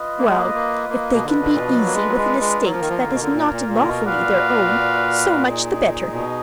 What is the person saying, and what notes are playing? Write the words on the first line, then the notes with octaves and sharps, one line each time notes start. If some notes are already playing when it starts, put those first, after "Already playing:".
Well, if they can be easy with an estate that is not lawfully their own, so much the better.
Already playing: F4 B4 D#5
A#3
G#3
A#3
A#3
A#3
B2
D3 D4 F4 B4 D#5
D3
A#2
B2
F3
F#3
A#3
G#3
F#3
G#3
G#3
F#3 A#3 F4 A#4
F3
D#3
F3
D#3
D3
B2
D3
A#2
A#2
A#2
D3
B2
A#2 F#4 B4 D5 F5
D#4 G#4 D#5
B2